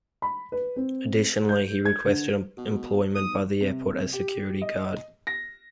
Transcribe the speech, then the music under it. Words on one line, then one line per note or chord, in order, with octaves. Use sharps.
Additionally, he requested employment by the airport as a security guard.
B5
B4
C4
G6
G#6
D3
B2
B1 D#6
C3
G4
D#5
A#6